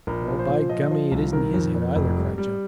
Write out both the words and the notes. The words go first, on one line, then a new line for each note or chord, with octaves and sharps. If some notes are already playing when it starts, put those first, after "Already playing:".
"Well, by gummy, it isn't his head either!" cried John.
A#1 A#4
F3
C5
A#2
F3 D#5
F3
C2
D#3 A#4
F2
F2
F1
G3
G3